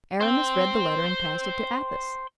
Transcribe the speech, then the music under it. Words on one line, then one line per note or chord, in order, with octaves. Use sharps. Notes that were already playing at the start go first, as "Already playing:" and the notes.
Aramis read the letter, and passed it to Athos.
C5 G5